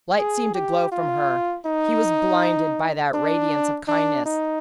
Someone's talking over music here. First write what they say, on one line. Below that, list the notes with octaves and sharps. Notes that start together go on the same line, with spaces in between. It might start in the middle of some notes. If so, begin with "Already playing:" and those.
Light seemed to glow from her; he was blinded by that radiance of kindness.
G#4
G4
F4
D#4
D4
D4
D#4